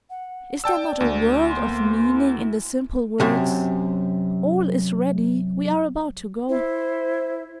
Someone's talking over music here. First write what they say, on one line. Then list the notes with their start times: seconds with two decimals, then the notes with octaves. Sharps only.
Is there not a world of meaning in the simple words: "All is ready, we are about to go"?
0.10 F#5
0.64 D5 G5 A5 E6
1.00 D2
1.50 A#3 B3 C6
2.14 E4
3.20 F#2 C3
6.49 E4 C5